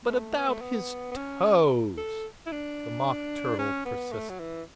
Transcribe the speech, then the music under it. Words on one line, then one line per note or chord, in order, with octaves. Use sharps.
'But about his toes?' the Mock Turtle persisted.
A3
B3
A3
B3
B3
C#4
A4
E4
D4
C#4
B3
A3
F#3
E3